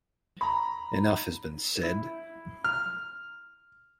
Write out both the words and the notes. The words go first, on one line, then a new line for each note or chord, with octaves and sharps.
Enough has been said.
A#5 B5
E4
F6